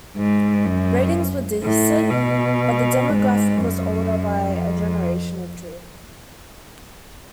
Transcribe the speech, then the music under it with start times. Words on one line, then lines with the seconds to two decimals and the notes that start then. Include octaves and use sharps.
Ratings were decent, but the demographic was older by a generation or two.
0.16 G#2
0.65 F#2
1.63 A2
2.11 B2
3.09 G#2
3.56 F#2
4.54 F2